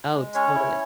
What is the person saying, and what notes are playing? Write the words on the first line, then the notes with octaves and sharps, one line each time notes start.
Oh, totally.
G#3
C#4 C#5
E4